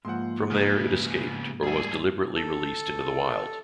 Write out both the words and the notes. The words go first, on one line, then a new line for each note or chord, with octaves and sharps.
From there, it escaped or was deliberately released into the wild.
G#2 F3 A#3 F#5 C6
C#3 B3 G#5 D#6 F6
G3 A3 G#4 A4
A4